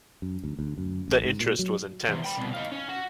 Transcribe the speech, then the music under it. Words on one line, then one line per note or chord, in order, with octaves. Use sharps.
The interest was intense.
F#2
D2
D2
F#2
A1
G#2
A#2
F#3
E2 C3
G5 B5
C2 B2
D#4 F5
C#4
F#4